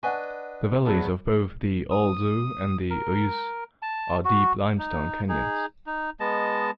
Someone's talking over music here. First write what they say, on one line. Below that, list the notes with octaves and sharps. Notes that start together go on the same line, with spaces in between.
The valleys of both the Alzou and the Ouysse are deep limestone canyons.
D4 B4 D#5 F#5 G#5 C#6
D2 F#3 B3 G#4 A5
D#6
A#4
A5
F#4
D#4
D#4 G#4
D#4
G#3 B3 D#5 A5